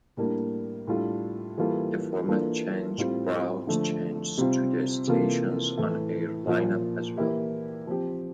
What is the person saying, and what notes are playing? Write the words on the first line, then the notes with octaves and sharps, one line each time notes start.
The format change brought changes to the station's on-air lineup as well.
A2 G3 A#3 D4
A2 G3 D4 F4 A4
E3 G3 A#3 F4 A4
E3 A#3 D4 F4 A4
A2 G3 C4 F4
D3 F3 A3
C3 G3 C4 F4
C3 E3 A#3 F4 A4
A2 E3 A3
A#2 F3 A#3 F4
E3 A#3 E4 G4
F3 C4 G4